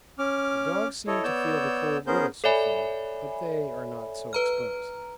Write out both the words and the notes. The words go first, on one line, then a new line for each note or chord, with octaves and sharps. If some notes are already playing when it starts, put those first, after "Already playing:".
The dogs seem to feel the cold little so far, but they are not so exposed.
C#4 D6 F6
E4 A4 C#5 D#5
B3 C#5 D5 E6 G6
B3 C#4 G#4 A#4 C5 G6
A4 C#5 D5 E5 G#5 B5
B4 A#5 F6